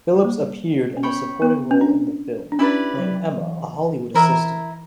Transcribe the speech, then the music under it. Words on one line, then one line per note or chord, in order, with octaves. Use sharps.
Phillips appeared in a supporting role in the film, playing Emma, a Hollywood assistant.
G3
A#3
C#4
B3 C#5 G5 B5
B3
C#4
D4
D4
C#4 E4 G4 B4 D5
F#3
E3
E3 E4 A#4 E5